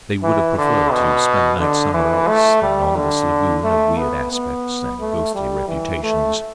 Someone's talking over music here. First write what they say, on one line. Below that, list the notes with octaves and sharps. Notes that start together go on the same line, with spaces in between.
They would have preferred to spend the night somewhere else than on this lagoon of weird aspect and ghostly reputation.
E3
D3
B2
D3
E3
A3
G3
D3
A3
B3
B3
A3
G3
E3
A3